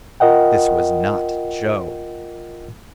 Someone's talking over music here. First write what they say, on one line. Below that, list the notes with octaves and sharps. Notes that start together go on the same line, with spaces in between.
This was not Joe.
F4 A#4 D#5 F#5 G5